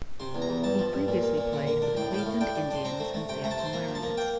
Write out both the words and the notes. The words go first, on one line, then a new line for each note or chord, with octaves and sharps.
He previously played for the Cleveland Indians and Seattle Mariners.
C3 C6
E2
A#5
E2
G2 A5
F3
G2
A#2
A#3
A#2
D3
A#3
D4
A2 G5
A2 G5
F5
A2
D4 G5
D4
D4 C6
C4 A#5
A3
A3
C3 G5
A3 A#5
A5
C4
C6
A#3 A#5
F3
A5
A#3
A#3 G5